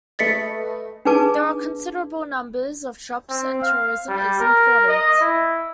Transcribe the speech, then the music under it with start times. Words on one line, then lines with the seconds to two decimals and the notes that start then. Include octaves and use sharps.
There are considerable numbers of shops, and tourism is important.
0.19 A3 B4 D#5 A6 B6 C#7
1.05 D4 D#4 G#4 B4 A5 D6
3.29 C4
3.62 F5
4.08 G3
4.40 A#4
4.88 D#5
5.20 E4